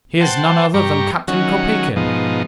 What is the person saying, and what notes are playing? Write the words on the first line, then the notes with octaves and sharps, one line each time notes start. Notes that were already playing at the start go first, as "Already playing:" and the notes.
"He is none other than Captain Kopeikin."
C5 F#5 G5 A5
G2 G4 A#5 C#6
D#3 F#3 C#4 F#4
G#2 B2 F3 D#4